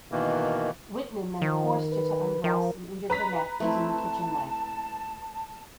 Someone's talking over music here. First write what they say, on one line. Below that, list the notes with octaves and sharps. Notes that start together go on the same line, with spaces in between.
Wittmann then forced her to undress and injured her neck using the kitchen knife.
B2 D#3 E3 A#3
D#3 F3
B4
F3 A#4
B4 A#5 B6
A3 C4 E4 A5